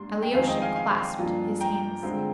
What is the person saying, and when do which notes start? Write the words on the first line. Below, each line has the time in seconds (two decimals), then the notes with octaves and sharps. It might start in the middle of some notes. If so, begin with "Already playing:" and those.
Alyosha clasped his hands.
Already playing: G#2 G3 A#3 D4 C6
0.22 G5
0.33 F2 D#3 G#3 C4 F5 G#5
0.47 D#5 G5
0.62 F5 G#5
0.76 F5 G#5
1.18 G2 F3 A#3 F4
1.61 G5 A#5
2.03 D3 G#3 C4 F4